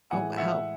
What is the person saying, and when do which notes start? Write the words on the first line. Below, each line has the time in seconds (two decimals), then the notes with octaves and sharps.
Oh, wow.
0.11 A2 E3 G#3 F#5 G#5
0.37 E5 F#5